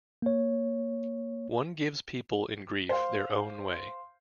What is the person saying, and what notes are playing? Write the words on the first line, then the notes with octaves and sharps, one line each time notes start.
One gives people in grief their own way.
A#3 C#5
C5 F5